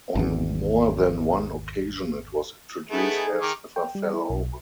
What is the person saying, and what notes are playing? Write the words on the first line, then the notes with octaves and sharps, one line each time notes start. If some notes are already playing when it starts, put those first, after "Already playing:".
On more than one occasion it was introduced as "If I Fell Over".
G#1 E2
A3 B3 D#4 E4 G#4
D#3 D6
G5
G3
E4
B1